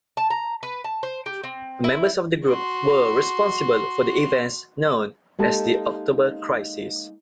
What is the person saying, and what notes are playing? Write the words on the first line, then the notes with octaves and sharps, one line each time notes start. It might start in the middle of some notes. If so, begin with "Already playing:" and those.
Members of the group were responsible for the events known as the October Crisis.
A5
A#5
B4
A5
C5
G4
C4
E4
F#4 C6
G#3 A#3 D#4 G4 A4 A5